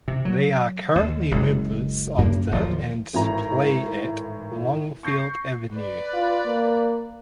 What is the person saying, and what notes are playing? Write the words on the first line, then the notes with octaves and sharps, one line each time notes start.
They are currently members of the and play at Longfield Avenue.
C3
F#3
D#2
F#1 C#2
F#2 A#3
D1 D#2 E3 F3
G#1 A2 E3 A#5
C#6 G6 A#6 C7
B4 D5
F4
A#3